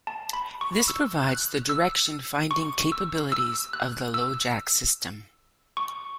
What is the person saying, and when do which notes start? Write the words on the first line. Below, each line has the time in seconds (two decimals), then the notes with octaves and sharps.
This provides the direction finding capabilities of the LoJack system.
0.07 A5
0.33 B5
0.61 C#6
0.88 E6
1.29 F#6
1.69 E6
2.51 C#6
2.92 E6
3.32 E6
3.73 F#6
4.14 E6
5.77 C#6